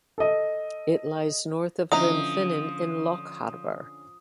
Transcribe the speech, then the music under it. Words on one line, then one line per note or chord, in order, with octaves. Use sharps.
It lies north of Glenfinnan in Lochaber.
A4 D#5
D3 E3 F3 C#4 D#5 A#5 D#6 A#6